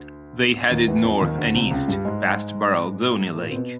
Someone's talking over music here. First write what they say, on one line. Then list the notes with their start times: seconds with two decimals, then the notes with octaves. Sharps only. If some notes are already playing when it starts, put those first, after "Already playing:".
They headed north and east past Baralzone Lake.
Already playing: D2 D3
0.71 D#2 D#3
0.87 E2 E3
1.04 F2 F3
1.21 D#2 D#3
1.38 D2 D3
1.54 C2 C3
1.71 C#2 C#3
1.88 G2 G3
2.05 G#2 G#3
3.34 A3
3.39 A#2 A#3
3.51 C4
3.55 B2 B3